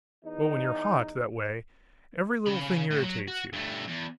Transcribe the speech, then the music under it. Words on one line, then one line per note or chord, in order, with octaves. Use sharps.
Well, when you are hot, that way, every little thing irritates you.
E2 D#4
C#3 B5
A2
F#3
F#4
G2 A3
E2